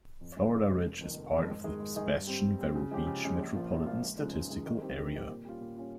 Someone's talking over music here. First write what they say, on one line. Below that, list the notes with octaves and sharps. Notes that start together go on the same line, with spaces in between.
Florida Ridge is part of the Sebastian-Vero Beach Metropolitan Statistical Area.
F2
C#3 G#3
F2
C#3 G#3
F1
F2 D#3
F1
F2 D#3
G#2
D#3 G#3 D#4 G#4
G#2
D#3 G#3 D#4 G#4
G2
G3 C4
G2
G3 C4
C#3
F3 G#3 C#4 G4
C#3
F3 G#3 C#4 G4
A#1
A#2 F3 A#3 F4
A#1
A#2 F3 A#3 F4
C#2
C#3 F3 G#3 D#4
C#2
C#3 F3 G#3 D#4
D#3
G3 C4 D#4 G4
D#3
G3 C4 D#4 G4
A#2
G3 C#4 F4
A#2
G3 C#4 F4